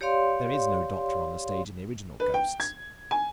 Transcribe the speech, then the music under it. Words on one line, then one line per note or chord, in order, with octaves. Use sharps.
There is no doctor on the stage in the original Ghosts.
G4 C#5 D5 F5 C6
B4
G5
G#6
G#5